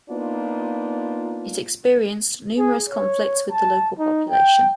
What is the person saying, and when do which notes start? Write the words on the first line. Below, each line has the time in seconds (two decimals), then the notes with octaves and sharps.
It experienced numerous conflicts with the local population.
0.10 A#3 B3 D4 D#4 F4
2.58 G#4
2.90 C#5
3.51 A5
3.99 D#4
4.30 G5